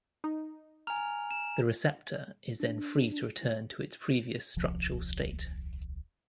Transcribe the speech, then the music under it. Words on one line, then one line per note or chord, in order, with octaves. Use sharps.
The receptor is then free to return to its previous structural state.
D#4
G#5 A#5 F6 F7
E7
D4
D#1 C2 F3